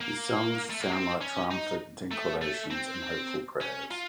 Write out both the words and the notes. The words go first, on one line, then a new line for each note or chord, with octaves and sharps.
His songs sound like triumphant declarations and hopeful prayers.
A#3
A3
A#3
C4
C#4
D#4
A3
A3
C4
C#4
F4